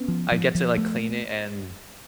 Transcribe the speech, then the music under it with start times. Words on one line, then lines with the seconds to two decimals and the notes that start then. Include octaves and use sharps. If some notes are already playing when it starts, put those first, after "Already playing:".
I get to, like, clean it and,
Already playing: B3 C#4
0.08 F3
0.32 F3
0.55 F3
0.78 A3